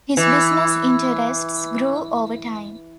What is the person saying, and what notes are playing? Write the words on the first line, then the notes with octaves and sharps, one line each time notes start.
His business interests grew over time.
E3